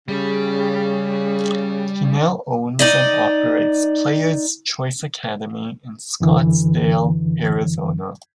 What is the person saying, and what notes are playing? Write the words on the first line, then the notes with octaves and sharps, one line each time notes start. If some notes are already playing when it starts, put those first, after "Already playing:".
He now owns and operates Player's Choice Academy in Scottsdale, Arizona.
C#3 G3
D#4 D5 D#5
F#2 D3 E3